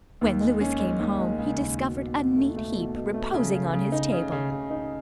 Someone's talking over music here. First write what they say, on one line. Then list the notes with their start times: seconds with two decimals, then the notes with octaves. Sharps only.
When Louis came home he discovered a neat heap reposing on his table.
0.21 D#2
0.41 G#3
0.61 C#4
0.80 G#3
0.99 D#2
1.19 G#3
1.38 C#3
1.58 D#2
1.78 B2
1.97 B2
2.17 B2
2.37 A3
2.56 A3
2.75 B2
2.95 B2
3.14 A3
3.33 C#3
3.54 C#3
3.73 C#3
3.92 D#4
4.12 C#3
4.32 C#3
4.50 C#3
4.70 D#4